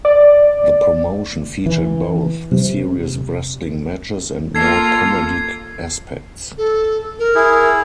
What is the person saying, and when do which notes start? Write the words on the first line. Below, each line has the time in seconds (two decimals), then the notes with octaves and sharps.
The promotion featured both serious wrestling matches and more comedic aspects.
0.05 D5
1.66 E3
2.51 C3
4.55 A#3 F4 A4 G#6 C7
6.58 A4
7.19 A#4
7.35 E4 G#4